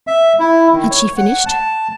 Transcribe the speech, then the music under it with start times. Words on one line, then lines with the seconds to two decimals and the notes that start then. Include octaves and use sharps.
Had she finished?
0.07 E5
0.39 E4
0.73 D#3
0.90 C#5
1.17 F#5
1.46 A5